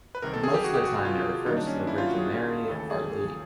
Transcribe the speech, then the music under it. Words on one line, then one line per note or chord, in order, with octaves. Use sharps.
Most of the time it refers to the Virgin Mary, Our Lady.
B4
C2 C3 D#3 A#4
A4
G#4
G4
F#4
G4
F#4
F#4
F4
F#2 D#3 G3 A#3 D#4
D4
C#4
D4
E4
F4
F#4
G#4
D#2 C#3 E3 A3 A4
A4
G#4